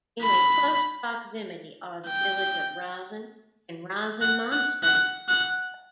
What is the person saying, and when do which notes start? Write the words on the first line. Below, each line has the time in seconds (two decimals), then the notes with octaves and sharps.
In a close proximity are the village of Rozhen and Rozhen Monastery.
0.23 B5
2.07 G5
4.21 F#5
4.52 F#5
4.83 F#5
5.29 F#5